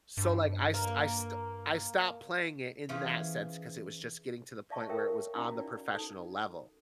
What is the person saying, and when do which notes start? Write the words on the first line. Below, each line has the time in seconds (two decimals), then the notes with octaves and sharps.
So like I st I st I stop playing it in that sense 'cause it was just getting to the point where it was on the professional level.
0.17 G2
0.74 A#3
2.89 E3 C#4 F4 G#4 C5
4.70 D5 E5 F5 A5 C#6
4.89 A4 A#4 C#5 E5 F5 G5
5.35 C#4 D#4 E4 F#4 F5 G5
5.60 D5
5.93 D#4 A4